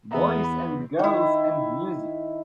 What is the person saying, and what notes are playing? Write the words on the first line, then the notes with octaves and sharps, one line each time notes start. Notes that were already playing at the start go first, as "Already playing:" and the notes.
Boys and girls and music.
E2 B3 G#4 E5 A#5
B5
D#3 E4